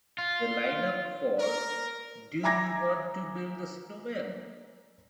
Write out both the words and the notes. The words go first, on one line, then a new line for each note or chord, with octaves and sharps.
The lineup for Do You Want to Build a Snowman?
F4
A#4
E5 G#5 A#5 D6 G#6 A#6